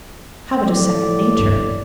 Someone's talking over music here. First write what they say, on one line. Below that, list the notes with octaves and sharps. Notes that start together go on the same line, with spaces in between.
Habit is second nature.
A2 F#3 D5
G2 B3